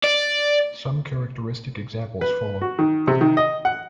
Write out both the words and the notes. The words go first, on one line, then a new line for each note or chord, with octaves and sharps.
Some characteristic examples follow.
D5
B4
F#4
D#3
C3
D#3
D#5
F#5